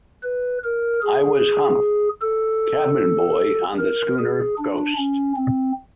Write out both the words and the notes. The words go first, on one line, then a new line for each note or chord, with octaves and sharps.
I was Hump, cabin boy on the schooner Ghost.
B4
A#4
G#4
A4
A#4
G#4
D4
C#4
C4